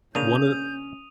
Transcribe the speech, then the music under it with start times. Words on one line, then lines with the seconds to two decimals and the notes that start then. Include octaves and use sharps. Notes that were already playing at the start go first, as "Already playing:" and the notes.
one of
0.15 C#3 A#3 C#4 D4 D#6 G6 D#7 F7